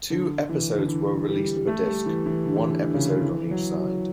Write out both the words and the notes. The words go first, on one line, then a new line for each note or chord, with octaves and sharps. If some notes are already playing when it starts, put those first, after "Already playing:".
Two episodes were released per disc, one episode on each side.
D3
E3
D3
E3
G3
G3
A3
G3
E3
E3
D3
E3
D3
D3
C#3
D3
E3
F#3
F#3